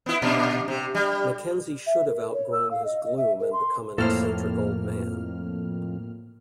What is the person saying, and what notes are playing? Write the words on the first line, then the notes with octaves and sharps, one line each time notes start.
Mackenzie should have outgrown his gloom and become an eccentric old man.
B3 E4
A#2 D4
C3
G3
E5
A#4
C#5
E6
F5
D#5
D#5
E5
A#4
C6
F2 A2 A#3 A4 C5 F6